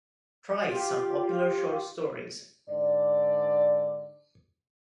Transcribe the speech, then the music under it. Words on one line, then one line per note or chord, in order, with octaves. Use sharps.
Try some popular short stories.
F4 G4
G#2 D3 D5